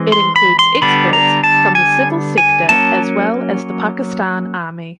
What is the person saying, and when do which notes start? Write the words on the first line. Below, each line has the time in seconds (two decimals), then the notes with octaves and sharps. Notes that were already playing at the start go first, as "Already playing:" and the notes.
It includes experts from the civil sector as well as the Pakistan Army.
Already playing: E3 G#3 C4
0.12 C6
0.36 B5
0.59 C6
0.82 D3 G3 B3 D4 B5
1.13 A#5
1.44 A5
1.75 G#5
2.38 G#5
2.69 F#3 A#3 C#4 A5